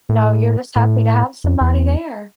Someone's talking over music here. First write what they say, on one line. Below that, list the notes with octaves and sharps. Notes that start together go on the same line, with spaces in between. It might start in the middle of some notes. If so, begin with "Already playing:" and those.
No, you're just happy to have somebody there.
A2
A2
F2
E2